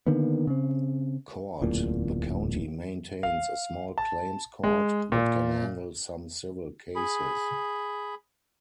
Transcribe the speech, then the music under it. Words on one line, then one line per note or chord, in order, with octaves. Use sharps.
Court: The county maintains a small claims court that can handle some civil cases.
D3 D#3 A#3 B3
C#3 C4
D1 A1 E2 A#2
F5
A5
G#3
A#2
G#4 B5